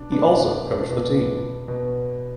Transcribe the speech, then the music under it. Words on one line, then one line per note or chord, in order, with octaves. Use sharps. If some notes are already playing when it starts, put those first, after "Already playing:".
He also coached the team.
Already playing: B2 D4
B2 D4
B2
B2